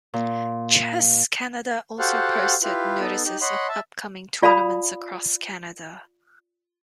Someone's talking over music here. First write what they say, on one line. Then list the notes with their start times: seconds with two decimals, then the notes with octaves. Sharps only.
"Chess Canada" also posted notices of upcoming tournaments across Canada.
0.14 A#2
1.99 F#4 G4 A4 C5 F5 F#5
2.63 E4 F4 G4 B4
3.00 B3 D#4 A4
3.26 D#4 G4
3.41 C#5 D#5 F#5 B5 C6
3.69 E5 A5
4.42 F4 D5 F5 A5 B5 D#6